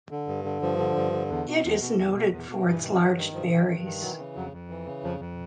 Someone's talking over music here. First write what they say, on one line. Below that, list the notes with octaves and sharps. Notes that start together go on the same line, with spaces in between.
It is noted for its large berries.
D3
G2
D3
G2 F3
D3
G2
D3
E2
B2
E2
B2
E2
B2
E2
B2
G2 E3
D#3
G2
D#3
G2 F3
D#3
G2
D#3
E3 F#3
C#3
F2 F#3
F2
E3
C#3
F2 F3
F2